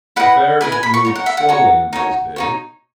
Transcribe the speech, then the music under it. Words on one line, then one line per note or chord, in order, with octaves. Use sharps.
Affairs moved slowly in those days.
E4 B4 D#5 F#5
E4 B4 D#5 G#5
G#5
B5
C#6
D#4 F#4 C#5
F#5
E5
F#5
D#4 F#4 C#5
D#4 F#4 C#5
D#4 F#4 C#5